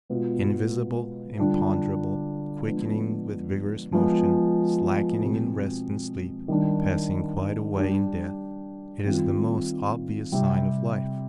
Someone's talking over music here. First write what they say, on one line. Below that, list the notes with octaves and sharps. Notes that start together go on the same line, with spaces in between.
Invisible, imponderable, quickening with vigorous motion, slackening in rest and sleep, passing quite away in death, it is the most obvious sign of life.
B2 G#3 B3 F4
D3 G3 D4 F4
F3 G#3 B3 D4
F3 G#3 B3 F4
B2 G#3 C4 G4
D#3 G3 D4
G3 D4 G4
D#3 G3 C4 F4
C3 G3 C4 G4